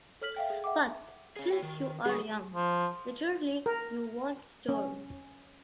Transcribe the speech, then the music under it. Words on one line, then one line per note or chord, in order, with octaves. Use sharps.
But, since you are young, naturally you want storms.
A4 C#5 F6 B6 F#7
E5 F5 G5
G#4
E5 F#5 G5 D6
C#4 G#4
C#5 G5
D#3
D3 F#3 G3 G#4 C#6
F3
A#4
C#4